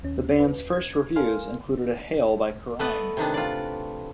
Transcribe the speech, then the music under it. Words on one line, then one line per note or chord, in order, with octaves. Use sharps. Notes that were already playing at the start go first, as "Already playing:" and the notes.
The band's first reviews included a hail by Kerrang!
D#2 C#4
B4
G#6
A4 A#4 F5 G#5 C6 F6
A3 B3 B4 D5 D#5
C3 D#3 B3 D4
F4 D5